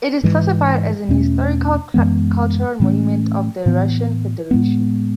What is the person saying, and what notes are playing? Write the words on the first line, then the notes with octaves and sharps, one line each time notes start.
It is classified as an historical cultural monument of the Russian Federation.
G#2 E3 G#3
E2 B2 A3 C#4
F#2 E3 G#3 B3
A2 E3 A3 C#4
A2 E3 B3
A2 G#3 B3